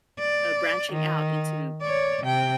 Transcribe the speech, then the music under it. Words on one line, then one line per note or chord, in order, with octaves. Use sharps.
uh, branching out into
D5
D#3
C#5 D5
C3 G5